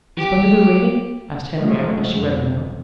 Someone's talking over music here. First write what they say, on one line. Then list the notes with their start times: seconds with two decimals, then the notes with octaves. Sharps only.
"Is Bunderby waiting?" asked Henriette as she read the note.
0.17 G4
1.58 F3 F#3 G#3 A3
2.14 F2